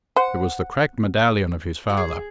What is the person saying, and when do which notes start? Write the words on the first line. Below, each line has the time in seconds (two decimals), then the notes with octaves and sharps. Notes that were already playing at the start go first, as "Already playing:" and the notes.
It was the cracked medallion of his father.
0.16 C5 F#5
1.90 F#4
1.97 G#4